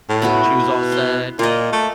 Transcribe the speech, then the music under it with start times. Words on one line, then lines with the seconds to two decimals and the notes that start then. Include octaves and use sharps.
she was all sad,
0.09 A2
0.22 B3 E4 F#4
0.44 B2
0.92 C6
1.39 A#2 F4 D#5
1.72 A3